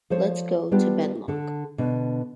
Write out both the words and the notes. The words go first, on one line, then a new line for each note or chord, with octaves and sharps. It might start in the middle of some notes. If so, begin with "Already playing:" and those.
Let's go to Benlloc.
F3 A4 C5 C#5
G3 B3 D4 F4 G4
D3 A4
B2 D3 D4